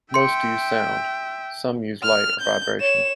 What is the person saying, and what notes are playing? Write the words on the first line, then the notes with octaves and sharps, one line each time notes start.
Most use sound; some use light or vibration.
E5 G5 C6 C#7
F6
G6
C#5 E7